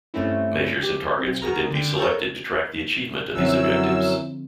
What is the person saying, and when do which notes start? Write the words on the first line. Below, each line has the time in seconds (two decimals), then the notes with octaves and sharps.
Measures and targets could then be selected to track the achievement of these objectives.
0.14 G2 A3 C4 C#4 E4
0.82 G4
1.19 B1 C4
1.42 B3 F#4 G#4 A#4 A#5
1.71 D3 G5
1.97 A4 A#4 C#5 C#6 G6
3.34 F#2 D3 F3 F#3 C4 E4 E6